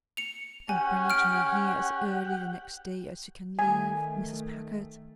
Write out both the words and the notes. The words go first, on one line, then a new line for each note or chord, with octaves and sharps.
"And bring it to me here as early the next day as you can leave Mrs. Packard?"
C#7 F7
C#4 G4 F#5 G#5
F6 D7
D#3 A3 G#5